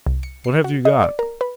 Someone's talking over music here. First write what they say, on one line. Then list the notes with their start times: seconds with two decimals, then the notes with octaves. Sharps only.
"What have you got!"
0.07 C2
0.23 C#7
0.44 C7
0.64 F#4
0.85 D#5
1.04 D5
1.19 A#4
1.41 B4